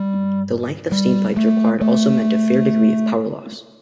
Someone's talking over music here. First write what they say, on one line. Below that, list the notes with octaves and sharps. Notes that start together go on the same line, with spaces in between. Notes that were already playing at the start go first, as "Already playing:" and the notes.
The length of steam pipes required also meant a fair degree of power loss.
Already playing: G3
G3
A3
A3